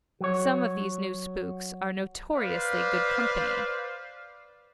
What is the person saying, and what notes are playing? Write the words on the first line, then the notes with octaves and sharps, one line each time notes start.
Some of these new spooks are notoriously good company.
F#3 C#5
B4 C5 D5 F5